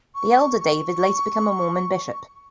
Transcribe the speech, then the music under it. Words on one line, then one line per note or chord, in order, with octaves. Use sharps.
The elder David later became a Mormon bishop.
C#6
C#6